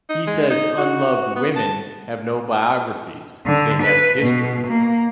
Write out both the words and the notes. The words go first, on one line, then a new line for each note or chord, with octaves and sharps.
He says unloved women have no biographies — they have histories.
D#4
G#3
D#4
F#4
B3
A5
D3
B4
B2
A#3